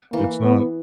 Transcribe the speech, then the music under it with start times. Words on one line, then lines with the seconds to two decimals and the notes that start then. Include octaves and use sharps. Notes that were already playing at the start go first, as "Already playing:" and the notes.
It's not,
0.12 E3 A#3
0.44 B3